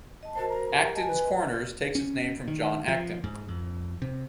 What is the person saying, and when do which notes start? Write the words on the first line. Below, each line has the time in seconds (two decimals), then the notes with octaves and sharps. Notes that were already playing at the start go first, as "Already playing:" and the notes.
Actons Corners takes its name from John Acton.
0.23 D#5 A5
0.35 F#4 A#4 C5 A5
0.49 A#5
0.70 G4 A#4
0.95 D#5 G#5 A5
1.08 B4
1.95 C#4
2.48 D#3
2.88 F3
3.24 G#2
3.48 F2
4.02 C3